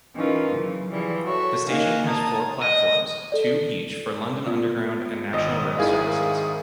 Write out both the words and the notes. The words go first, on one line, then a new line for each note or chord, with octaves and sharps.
The station has four platforms; two each for London Underground and National Rail services.
E3 C#4 D#4 F4 A#4 B4
C#3 E3 F#3
E3 F3 G3 G#4
F#4 A4 C#5 E5 C#6
A#3 D#4 A#4 F5 F#5 G#5
A5 A#5 D#6 G#6
D#5
A4 D5
B3 F4 D5
G#1 D#5 D#6
G#1 D#3 E4 G#4 F5